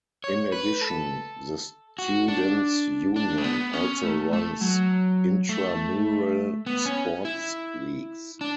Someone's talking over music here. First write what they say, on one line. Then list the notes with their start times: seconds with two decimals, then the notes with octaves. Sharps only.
In addition, the Students' Union also runs intramural sports leagues.
0.24 C#5
0.52 B4
0.81 A4
1.98 F#4
2.28 D4
3.16 D4
3.38 A3
3.44 B3
3.73 C#4
4.03 A3
4.33 A3
4.61 F#3
5.49 A3
6.66 B3
6.85 C#4
7.25 E4
8.41 D4